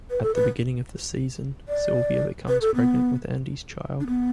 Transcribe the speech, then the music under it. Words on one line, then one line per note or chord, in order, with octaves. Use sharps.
At the beginning of the season, Sylvia becomes pregnant with Andy's child.
B4
A4
B4
D5
B4
A4
B3
D4
B3